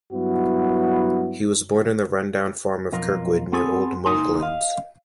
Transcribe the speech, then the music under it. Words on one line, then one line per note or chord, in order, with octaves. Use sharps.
He was born in the run-down farm of Kirkwood, near Old Monklands.
G2 F#3 B3 E4 F#4
B1 F2 F4 A#4
B3 C4 G#4 A4 G#5
C#2 A#3 D#4 G#5 C6
D#5 F5